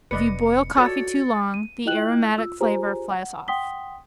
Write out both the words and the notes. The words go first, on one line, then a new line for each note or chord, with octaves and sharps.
If you boil coffee too long, the aromatic flavor flies off.
F1 B4 D5 D#5 C#7
F4 F#4 A4 C#5 D5 A6
D#7
E4 F4 D#5 G5 F#6 F#7
F4 E6
F4 G4 G#4 C5 G#5 A#5
F#5
F#5 G5 C6 D#6 B6 G7